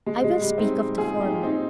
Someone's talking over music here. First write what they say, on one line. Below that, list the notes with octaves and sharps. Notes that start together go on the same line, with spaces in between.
I will speak of the former.
G#3
G#3
G3
C4 D#4
F4 G#4
D#4 G4
F4
C4 D#4